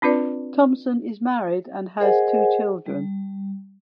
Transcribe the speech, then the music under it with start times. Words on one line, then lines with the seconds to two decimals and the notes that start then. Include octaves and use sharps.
Thompson is married and has two children.
0.02 C4 D4 F4 B4 D5
2.00 G#4 A#4 C5 D#5 F#5 G#5
2.86 G3